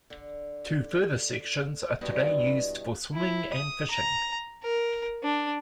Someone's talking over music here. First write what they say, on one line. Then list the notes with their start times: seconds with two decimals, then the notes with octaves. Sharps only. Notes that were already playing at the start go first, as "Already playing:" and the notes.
Two further sections are today used for swimming and fishing.
0.10 D3
2.01 G2 B2 D4 E4 D#5
3.14 E4
3.53 D#6
3.91 A#5
4.63 A#4
5.23 D4